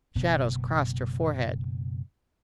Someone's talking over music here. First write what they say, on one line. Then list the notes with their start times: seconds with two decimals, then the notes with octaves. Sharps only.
Shadows crossed her forehead.
0.15 F#1 B2 B3